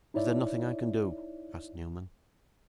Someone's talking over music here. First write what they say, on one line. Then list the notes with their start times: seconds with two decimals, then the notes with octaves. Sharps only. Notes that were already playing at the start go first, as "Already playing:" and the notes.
'Is there nothing I can do?' asked Newman.
0.14 D#4 E4 C#5 D5 E5